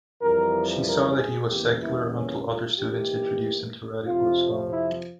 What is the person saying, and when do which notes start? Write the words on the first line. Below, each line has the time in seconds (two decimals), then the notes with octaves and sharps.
She saw that he was secular until other students introduced him to radical Islam.
0.21 F2 E3 G3 A#4
0.85 A#4
1.17 G#4
1.49 E2 C#3 E3 G3 A#3 G4
1.81 E4
2.13 C#4
2.45 F4
2.77 G#2 E3 A#3 G4
4.05 F2 C3 F3 F4
4.69 E4